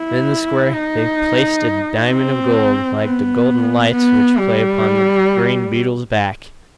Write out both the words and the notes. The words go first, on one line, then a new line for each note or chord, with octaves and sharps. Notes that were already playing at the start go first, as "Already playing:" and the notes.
Within this square they placed a diamond of gold like the golden lights which play upon the green beetle's back.
Already playing: E4
D#4
C4
B3
B3
G3